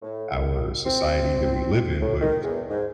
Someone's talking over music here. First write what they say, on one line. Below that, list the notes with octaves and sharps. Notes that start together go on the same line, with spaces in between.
our society that we live in, but,
A2
D#2
C4
A2
D#3
E2
G#2